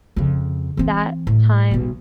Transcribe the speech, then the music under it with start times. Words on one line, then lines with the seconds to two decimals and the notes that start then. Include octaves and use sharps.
that time
0.16 F2 C#3
0.77 E3 C4
1.27 A2
1.71 B1 B2